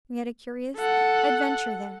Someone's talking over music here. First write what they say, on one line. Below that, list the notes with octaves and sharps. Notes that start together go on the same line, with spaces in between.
We had a curious adventure there.
A4 F#5